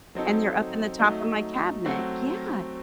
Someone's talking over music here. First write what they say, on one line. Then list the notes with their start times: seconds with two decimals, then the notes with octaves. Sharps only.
and they're up in the top of my cabinet, yeah
0.15 F#3 C4 D#4 A4
1.00 F#3 A3 D#4
1.86 F#3 A3 C4 F#4